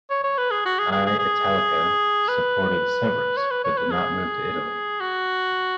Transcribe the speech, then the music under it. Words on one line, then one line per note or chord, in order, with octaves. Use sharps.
I "Italica" supported Severus, but did not move to Italy.
C#5
C#5
B4
G#4
F#4
G#4
G#4
G#4
G#4
B4
C#5
B4
C#5
B4
G#4
F#4